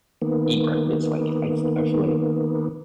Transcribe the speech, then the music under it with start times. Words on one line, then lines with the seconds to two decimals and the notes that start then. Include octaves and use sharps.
eat breakfast, like, I f I feel like
0.22 D#3 A#3 B3